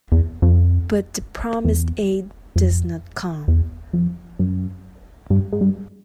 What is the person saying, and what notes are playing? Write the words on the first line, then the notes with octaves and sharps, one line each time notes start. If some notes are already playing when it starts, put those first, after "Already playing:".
But the promised aid does not come.
E2
F2
E2
F2
E2
F2
F#2
G2
G#2
G2